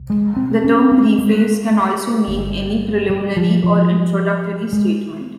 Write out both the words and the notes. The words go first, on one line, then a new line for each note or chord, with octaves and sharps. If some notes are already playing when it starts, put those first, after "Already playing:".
The term "preface" can also mean any preliminary or introductory statement.
Already playing: C2
G#3
C4
C#4
C4
G#3
G1 G2
G3
F3
F3
G#3